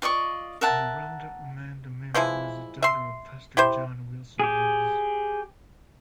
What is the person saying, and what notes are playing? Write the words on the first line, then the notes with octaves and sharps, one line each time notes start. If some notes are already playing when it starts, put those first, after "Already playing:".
Zerelda Amanda Mimms was the daughter of Pastor John Wilson Mimms.
F4 D5 D#5 C#6
A#4 E5 F#5 A5
E3 F3 G#3 E4
E5 C6
E4 G4 C5
G4 G#4